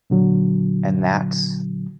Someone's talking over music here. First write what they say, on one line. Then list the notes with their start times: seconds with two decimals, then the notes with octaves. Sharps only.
And that's
0.10 A#2 D3 F#3